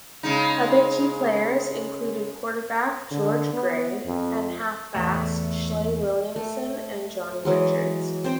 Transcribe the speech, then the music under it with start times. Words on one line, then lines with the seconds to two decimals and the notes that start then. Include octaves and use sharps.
Other key players included quarterback George Gray and halfbacks Schley Williamson and Johnny Richards.
0.23 C#3 G#3 D#4
3.11 D3
3.53 B3
4.06 F2
4.95 E2 G#2 A3
6.36 A3
7.45 E3 F#3 G#3
8.24 C4 C5 G5